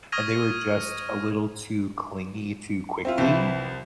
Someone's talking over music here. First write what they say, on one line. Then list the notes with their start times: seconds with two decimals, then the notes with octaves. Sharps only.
and they were just a little too clingy too quickly
0.12 C#6 D#6 F6 G#6 A#6 D#7
3.05 C4 E4 F4
3.18 C2 E3 F3 C4 E4